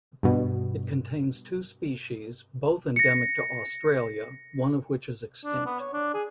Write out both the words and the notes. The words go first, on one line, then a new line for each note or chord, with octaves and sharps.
It contains two species both endemic to Australia, one of which is extinct.
G2 B2
A#6 C#7
D4
B3
C#5
D4
G#4